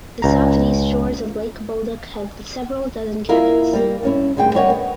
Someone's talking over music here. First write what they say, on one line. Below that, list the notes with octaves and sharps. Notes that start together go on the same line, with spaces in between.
The south and east shores of Lake Bolduc have several dozen cabins.
C#2 A#5
A#3 E4 F4 A#4 D#5 F5
G3 A#3
G2 C#4 E4
D2 A#2 G3 G#4 G5
G3 A#3 A#4 C#5 D#5 F#5
B3